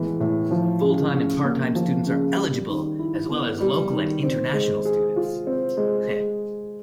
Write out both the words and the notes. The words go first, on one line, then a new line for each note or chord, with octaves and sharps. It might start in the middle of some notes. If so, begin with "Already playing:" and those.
Full-time and part-time students are eligible, as well as local and internationals students.
Already playing: A2 E3 G#3 B3
A2
F3
C#3
C#4
A#3
F3
C#3
G3
D#3
E4
B3
G3
D#3
C4
G#3
G#4
F4
C4
G#3
G#3